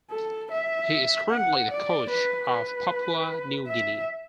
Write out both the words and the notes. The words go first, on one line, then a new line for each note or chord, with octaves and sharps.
He is currently the coach of Papua New Guinea.
A4
E5
F#5
D5
B4
B4
E5